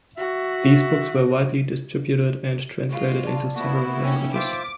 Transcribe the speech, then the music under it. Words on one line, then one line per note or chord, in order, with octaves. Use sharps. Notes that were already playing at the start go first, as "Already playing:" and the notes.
These books were widely distributed and translated into several languages.
F#4 E5
G#3 F4 F#4
D5 A5
A#3 B3 E4 F#4
C#4 D#4 G5 E6
F4 C5 E5 D6